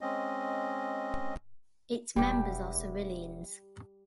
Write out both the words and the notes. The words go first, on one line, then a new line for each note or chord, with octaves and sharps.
Its members are civilians.
G#3 C4 C#4 D#5
E1 G3 G4